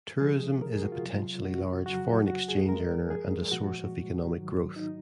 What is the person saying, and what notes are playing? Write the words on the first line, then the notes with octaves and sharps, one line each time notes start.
Tourism is a potentially large foreign exchange earner and a source of economic growth.
C3 F3 G#3 G#4
A#4
G#4
F#4
F4
C3 F#3
F#4
F2 C#3 F#3 F#4
F#4
G#4
F#2 F3 G#3 A#4
G#4
A#2 F3 G#3 F#4
G#2 D#3 F#3
D#4